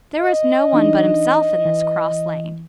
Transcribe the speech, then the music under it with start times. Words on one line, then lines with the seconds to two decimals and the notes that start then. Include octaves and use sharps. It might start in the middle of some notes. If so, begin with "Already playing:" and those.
There was no one but himself in this cross-lane.
0.21 D#5
0.73 E3 D4 D#4
1.65 E3